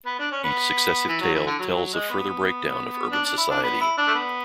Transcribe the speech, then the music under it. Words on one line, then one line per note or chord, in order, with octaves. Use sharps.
Each successive tale tells of further breakdown of urban society.
B3
D4
C#4
B3
E3
F#3
E3
D3
F#3
F#3
G#3
B3
D4
D4
E4
D4
B3
E4
D4
A3
B3